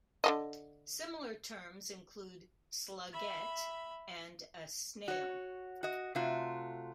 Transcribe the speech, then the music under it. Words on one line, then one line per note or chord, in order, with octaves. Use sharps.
Similar terms include "slugette", and a "snail".
D3 A#3 D#5
E5 B5
F#4 C#5
F#4 D#5
C3 A3 F4 F#4